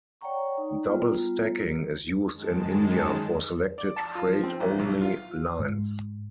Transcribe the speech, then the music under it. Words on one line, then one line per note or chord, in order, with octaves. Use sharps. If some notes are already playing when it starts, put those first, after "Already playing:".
Double stacking is used in India for selected freight-only lines.
C#5 D5 F#5 G5 A#5 C#6
D#4
G3 B3 F4 A#5
F#2 D#3 G#3 A5
D5
A5
F4
F3
C4
A1
B1
F4
G#2